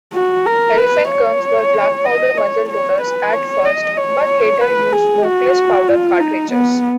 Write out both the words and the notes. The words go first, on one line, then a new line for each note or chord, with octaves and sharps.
Elephant guns were black powder muzzle-loaders at first, but later used smokeless powder cartridges.
F#4
A#4
B4
C#5
D#5
C#5
C#5
B4
C#5
D#5
C#5
B4
G#4
F#4
F4
D#4
B3